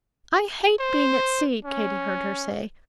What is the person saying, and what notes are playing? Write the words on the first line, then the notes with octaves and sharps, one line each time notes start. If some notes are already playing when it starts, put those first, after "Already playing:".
"I hate being at sea," Katy heard her say.
C5
C#4